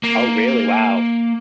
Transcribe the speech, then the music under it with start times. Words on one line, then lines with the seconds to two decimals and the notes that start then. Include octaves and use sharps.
Oh really? Wow.
0.03 A#3